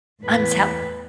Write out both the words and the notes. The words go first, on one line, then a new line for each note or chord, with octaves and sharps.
I'm so
E2 A2 B4